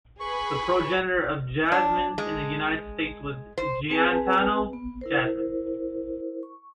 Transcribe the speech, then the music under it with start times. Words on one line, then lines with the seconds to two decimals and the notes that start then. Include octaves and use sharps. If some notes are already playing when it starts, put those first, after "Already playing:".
The progenitor of the Jasmines in the United States was Gaetano Jasmine.
0.20 G#4 B4 B5 C#6
1.72 D4
2.18 G#3
3.58 C5
3.90 C4 G#4 B4 G#5 A5
4.73 B3
5.01 E4 A#4 C5
6.43 C#6